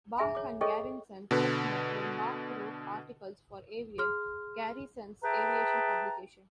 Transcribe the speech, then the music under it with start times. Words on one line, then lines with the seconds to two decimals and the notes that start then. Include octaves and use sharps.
Bach and Garrison first met when Bach wrote articles for "Avian", Garrison's aviation publication.
0.17 G#4 E5 G#5 A#5
0.35 C#5 D6
0.61 G#4 A4 C#5 D#5 G5 C#6
1.31 B2 D3 B4
3.98 G#4 C6 F6
5.23 G#4 B4 E5 G5 A5 A#5